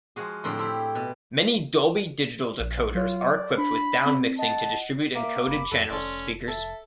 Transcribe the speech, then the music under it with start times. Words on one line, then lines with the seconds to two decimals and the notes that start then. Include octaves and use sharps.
Many Dolby Digital decoders are equipped with downmixing to distribute encoded channels to speakers.
0.16 F3 G#3 F#4 G#4
0.44 F2 A2 D3 C5 G5
0.59 A3 C4 E4 G4
0.95 B2
2.59 A#1
2.94 F#3 F4 C#5
3.26 D5
3.58 D4 B5
4.06 C4
4.39 D#5 F#5 A5
5.16 A#3 E5 D6
5.47 F#1 B5
5.72 F2 F#4 A4
5.90 F1 C#4 A4 D5 C6
6.48 A4 E5 A5